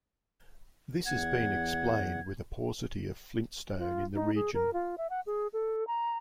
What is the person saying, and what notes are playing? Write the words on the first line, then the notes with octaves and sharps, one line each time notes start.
This has been explained with a paucity of flintstone in the region.
E2 F#5 G#6
F4
D#4
G#4
A#4
F4
E5
F#5
G#4
A4
A#5